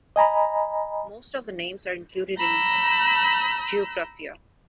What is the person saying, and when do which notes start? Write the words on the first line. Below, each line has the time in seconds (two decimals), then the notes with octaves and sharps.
Most of the names are included in "Geographia".
0.16 D#5 G#5 A#5 B5
2.39 A#5 B5 E6 G6